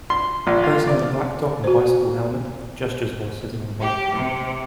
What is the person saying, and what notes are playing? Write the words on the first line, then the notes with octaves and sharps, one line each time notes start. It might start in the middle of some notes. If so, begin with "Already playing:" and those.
A person in a black top and bicycle helmet gestures while sitting on a bike.
C6
A#1
F4
D5
F#4 C5
G4
C3